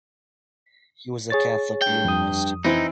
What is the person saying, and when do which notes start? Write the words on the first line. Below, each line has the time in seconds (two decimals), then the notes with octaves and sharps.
He was a Catholic Unionist.
1.30 G#4 C#5 A6
1.82 G2 G5
2.05 F2 D#6
2.64 E3 C4 D#4 E4